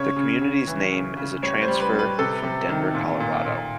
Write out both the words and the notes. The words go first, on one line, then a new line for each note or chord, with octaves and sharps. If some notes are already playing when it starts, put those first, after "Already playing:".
The community's name is a transfer from Denver, Colorado.
Already playing: C#3 C#5
C#3
C#3
E3
C#3
C#3
G3 C#5
C5
G3
B4
G3
B4
C3 A4
C3
D#3
A#2
A#2
A#2